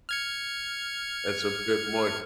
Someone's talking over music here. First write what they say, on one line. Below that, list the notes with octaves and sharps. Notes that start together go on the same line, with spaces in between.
that's a bit much,
F6 G#6 C#7